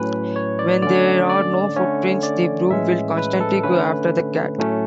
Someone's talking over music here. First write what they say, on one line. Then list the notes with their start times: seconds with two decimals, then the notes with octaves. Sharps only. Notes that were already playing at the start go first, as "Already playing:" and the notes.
When there are no footprints, the broom will constantly go after the cat.
Already playing: A2 F#3 C#4 B4
0.36 C#5
0.59 D5
0.82 D3 A3 C#4 D5
1.29 D5
1.76 D3 A3 C#4 C#5
2.23 D5
2.70 A2 E3 G#3 C#4 E5
3.17 B4
3.40 A4
3.63 D3 A3 C#4 B4
4.58 A2 F#3 A3 C#4